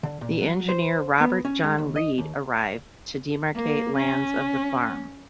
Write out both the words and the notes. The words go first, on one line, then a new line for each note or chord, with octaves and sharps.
The engineer Robert John Reid arrived, to demarcate lands of the farm.
D3
A#2
F#3
C5
B3
C#4
G#3
D#2
D#5
D#2
A#3
C#4